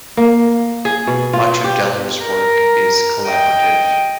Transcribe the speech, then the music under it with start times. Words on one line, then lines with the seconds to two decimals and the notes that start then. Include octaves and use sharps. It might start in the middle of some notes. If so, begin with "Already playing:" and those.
Much of Deller's work is collaborative.
0.17 A#3
0.85 G#4
1.07 B2
1.33 F4
1.64 G4
2.24 A#4
3.25 D#5 G5